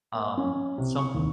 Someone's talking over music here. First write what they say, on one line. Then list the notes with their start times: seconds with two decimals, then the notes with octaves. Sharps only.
Um, some
0.15 A#3
0.37 C#4
0.78 C3
0.98 C#6
1.15 D#2